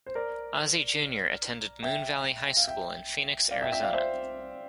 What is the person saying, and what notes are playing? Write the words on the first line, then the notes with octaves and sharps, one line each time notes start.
Ozzie Junior attended Moon Valley High School in Phoenix, Arizona.
C5
A#4 D5
E5 G5
F5
E5 G5
D5 F5
E5 G5
E5 G5
D5 F5
C5 E5